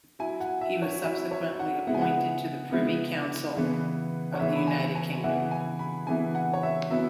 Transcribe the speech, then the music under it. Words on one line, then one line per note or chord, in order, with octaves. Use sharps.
He was subsequently appointed to the Privy Council of the United Kingdom.
F#3 E4 G#5
F#5
E5
C#5
F#3 E4 E5
C#5
F#5
C#3 G#3 B3 E4 F#5
G#5
F#5
C#3 G#3 B3 E4
C#3 E3 B3
C#5
C#3 E3 B3 E5
B5
G#5
G#5
C#3 E3 B3 E4 F#5
G#5
B5
C#3 E3 B3 E4 G#5
F#5
C#5
E5
F#3 B3 E4 E5